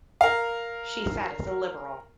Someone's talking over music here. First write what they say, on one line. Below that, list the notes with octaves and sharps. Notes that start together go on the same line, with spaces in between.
She sat as a Liberal.
A#4 F5